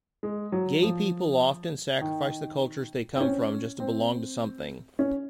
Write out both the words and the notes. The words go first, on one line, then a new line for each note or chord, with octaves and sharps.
'Gay people often sacrifice the cultures they come from just to belong to something.
G#3
F#3
F3
D#3
C4
C#4
C4
C#4